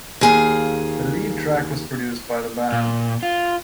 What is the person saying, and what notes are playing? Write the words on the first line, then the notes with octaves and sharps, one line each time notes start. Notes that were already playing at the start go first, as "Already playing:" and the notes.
The lead track was produced by the band.
D#2 G#4 F5
A#2
F4